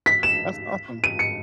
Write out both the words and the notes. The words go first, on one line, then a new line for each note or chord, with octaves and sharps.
that's awesome.
B6
E7
D#7
C#7